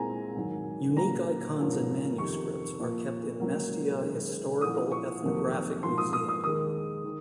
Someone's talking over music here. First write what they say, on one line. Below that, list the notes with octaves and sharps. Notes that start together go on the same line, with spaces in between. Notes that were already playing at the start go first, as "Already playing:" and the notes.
Unique icons and manuscripts are kept in Mestia Historical-Ethnographic Museum.
Already playing: C2 A#2 G#3 C4 G#5 A#5
G#2 D#3 F#3
A#2 F#3 A#3 A#5
G#2 F3 A#3 C#4
F2 C3 D#3 C#6
A#2 F3 A#3
C#2 C#3 F#3 A#3
F#2 D#3 G#3
C2 A#2 F3 D#6
C#6
F2 C3 D#3 F#3 A#3
G#2 F3 A#3 C6
D#6
D#6
D#6
D#2 D#3 G#3 D#6
D#3